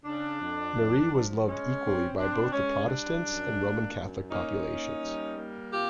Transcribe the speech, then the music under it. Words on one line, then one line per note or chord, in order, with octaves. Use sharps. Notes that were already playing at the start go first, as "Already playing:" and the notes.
Marie was loved equally by both the Protestants and Roman Catholic populations.
C#3 D4
F2
F2
F3
G#3 C#4
C4
C4 D4
G#3 C#4
G3 D4
F#2
A#3
F#2
A#3 C#4 D#4
A#3
G3
A#3
C3 F4 G4